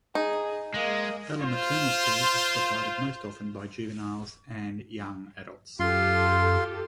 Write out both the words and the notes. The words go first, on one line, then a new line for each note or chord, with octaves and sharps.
Allomaternal care is provided most often by juveniles and young adults.
D#4 G#4
G#3 A#3 D#5
F4 C5
F#2 F4 G4 A4 C6